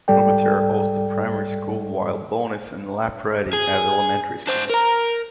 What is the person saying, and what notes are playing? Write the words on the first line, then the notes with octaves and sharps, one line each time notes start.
Aubeterre hosts the primary school while Bonnes and Laprade have elementary schools.
C2 G#2 G3 A4 D5 G5
G#4
D4 C5
A#4 A#5